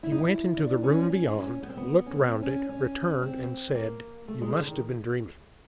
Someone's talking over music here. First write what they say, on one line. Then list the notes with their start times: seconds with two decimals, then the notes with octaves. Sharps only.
He went into the room beyond, looked round it, returned, and said: "You must have been dreaming."
0.03 E4
0.12 D#4
0.18 E4
0.57 D4
0.83 C#4
1.09 C#4
1.36 C#4
1.63 B3
1.70 C4
1.77 B3
2.06 C#4
2.15 C4
2.42 C#4
2.69 C#4
3.22 C4
3.75 A#3
4.28 A3
4.42 G#3
4.54 D3
4.68 D#3